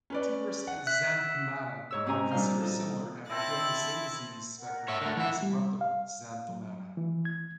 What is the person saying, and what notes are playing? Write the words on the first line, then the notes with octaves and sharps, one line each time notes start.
Tuberous xanthomata are considered similar, and within the same disease spectrum as eruptive xanthomata.
C#4 B4 D5
F#5
E5 F#6
G#2 C#5 E6
C4 C#4 G4 D#5 G#5 A#5
A#2 G3 D4 F5 F6 G6
D#4 A4
C4 E4 A4 D#5 F#6 A6
A#4 F#5
C#5 E5
D3 A3
E3 E5 F#5 A#5
G3
F5
F#3
E3
G#6